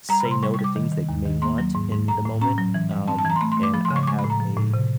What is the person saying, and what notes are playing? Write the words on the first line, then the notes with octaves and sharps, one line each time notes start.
say no to things that you may want in the moment, um, and I have a,
G3 A#5
B5
C3
C6
G3 C#6
C#6
G3
D6
D#3
D#3
D#2
D#3
A#3 C6
F#3
G#2
G#2
A2 A#5
A2
C#4 A#5
F#3
E3
G3
C4 A5
A5
E3
A#5
C6
A3 B5
C6
A3
D6
F3 B5
C6
C#3
C#6
D6
G#3 C#6
B5
A2
A#5
F3
A2
C3